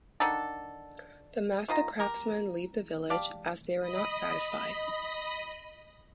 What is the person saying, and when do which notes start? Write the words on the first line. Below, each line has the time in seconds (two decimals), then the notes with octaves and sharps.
The master craftsmen leave the village, as they were not satisfied.
0.20 D3 D#3 A4
1.68 D#3 F4 D#5 A#5
2.00 G4 A#4
3.10 G4 D5 F5 A5
3.79 D#5 B5 D#6